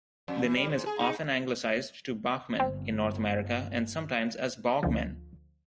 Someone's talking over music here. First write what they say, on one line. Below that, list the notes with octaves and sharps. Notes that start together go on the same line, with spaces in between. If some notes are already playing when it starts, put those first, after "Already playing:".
The name is often anglicized to "Bachman" in North America, and sometimes as "Baughman".
F2
E3
G3
G#2
G#4
D#4
G1 C4
D2 D3 F3